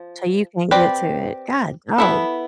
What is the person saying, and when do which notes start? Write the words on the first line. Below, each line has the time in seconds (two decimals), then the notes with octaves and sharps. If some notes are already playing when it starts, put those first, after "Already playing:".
So you can't get to it. God, oh.
Already playing: F3
0.71 C4 G4 B4 D5
1.98 B3 E4 A4